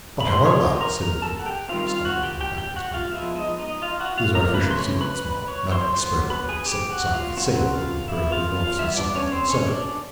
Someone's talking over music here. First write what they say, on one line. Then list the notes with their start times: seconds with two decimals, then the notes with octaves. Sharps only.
But, however,' said the beadle, stopping to unpack his bundle, 'these are official secrets, ma'am; not to be spoken of; except, as I may say, among the porochial officers, such as ourselves.
0.20 B5
0.27 D#3 G#3 C4 C5 C6
0.45 C#5 C#6
0.62 C5 C6
0.80 A#4 A#5
0.98 A#4 A#5
1.22 A4 A5
1.39 F#5
1.46 G4 G5
1.69 D#3 G3 C4 F4 F5
1.87 F4 F5
2.05 F#4 F#5
2.23 G4 G5
2.41 G4 G5
2.58 G4 G5
2.76 F#4 F#5
2.94 F4 F5
3.11 F3 G#3 B3 E4 E5
3.35 D#4 D#5
3.59 D#4 D#5
3.82 F4 F5
4.00 F#4 F#5
4.18 F4 F5
4.35 A#4 A#5
4.53 C#3 E3 A3 C4 B4 B5
4.71 C6
4.76 C#5 C#6
5.01 B4 B5
5.24 B4 B5
5.47 C#5 C#6
5.71 C5 C6
5.95 D3 F#3 B3 C5 C6
6.30 B4 B5
6.49 G#4 G#5
6.66 G4 G5
6.90 F#4 F#5
7.13 F4 F5
7.37 C#3 F#3 A3 C4 F#4 F#5
7.72 F4 F5
8.08 E4 E5
8.32 F4 F5
8.55 F4 F5
8.79 E3 G3 B3 E4 E5
8.97 D4 D5
9.15 C#4 C#5
9.32 C4 C5
9.50 C#4 C#5
9.67 D4 D5